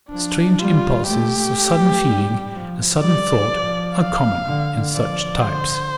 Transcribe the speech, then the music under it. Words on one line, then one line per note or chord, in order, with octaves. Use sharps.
Strange impulses of sudden feeling and sudden thought are common in such types.
F3 D4
G3 F4
A3 G4
A3
G3
F3
G3 D5
F3
F5
D3
F3 D5
D3 C5